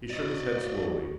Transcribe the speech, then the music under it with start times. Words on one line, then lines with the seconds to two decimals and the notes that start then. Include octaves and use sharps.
He shook his head slowly.
0.10 F#4 D5 D#5